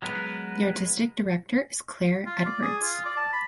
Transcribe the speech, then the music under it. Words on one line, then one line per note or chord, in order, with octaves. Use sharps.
The artistic director is Claire Edwardes.
F#3 G#3 B3 A#4 B4
F4
D5
G#4
F4
D5
A5
B5